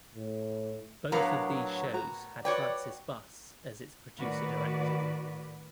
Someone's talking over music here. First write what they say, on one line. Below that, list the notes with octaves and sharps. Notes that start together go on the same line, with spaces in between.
Both of these shows had Frances Buss as its producer-director.
A2
A2 F#3 B3 D4 A#4 F5 A#5
F#4 A#5
F#4 B4 C#5 D5 G5
A2 D#3 F#4 B4 D5